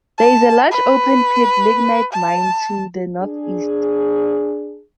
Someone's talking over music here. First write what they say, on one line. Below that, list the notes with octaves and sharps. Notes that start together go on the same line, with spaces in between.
There is a large open-pit lignite mine to the northeast.
A5
B4
A5
D4 G#4